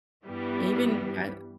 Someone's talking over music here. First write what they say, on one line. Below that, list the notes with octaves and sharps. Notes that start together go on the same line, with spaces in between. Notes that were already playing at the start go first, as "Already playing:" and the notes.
even I
G2 E3 G3 B3